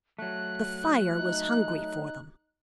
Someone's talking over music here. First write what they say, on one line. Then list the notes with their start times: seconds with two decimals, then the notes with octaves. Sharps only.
The fire was hungry for them.
0.19 F#3 A3 F#6
1.18 D#4